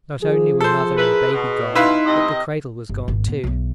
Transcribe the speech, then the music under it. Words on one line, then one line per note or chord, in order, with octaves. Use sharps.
Not only were mother and baby gone, but the cradle was gone too.
F3 G#4
A4 C5
E4 A#4 B4
B2
D#4 E4 B4 F5 C6
C3 G4 D#5
G1
G#1
A#2 B3
B1 E2